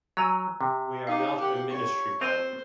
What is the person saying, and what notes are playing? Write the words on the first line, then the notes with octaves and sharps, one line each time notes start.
We are not a ministry band.
F#3 G#5 A#5 E6
C3
D#4 F5 D6
G4 F#5
C#5
C4 C5 D#7 F7